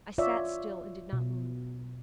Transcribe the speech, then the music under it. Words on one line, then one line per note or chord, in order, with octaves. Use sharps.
I sat still and did not move.
F4 C#5 D5 E5
B2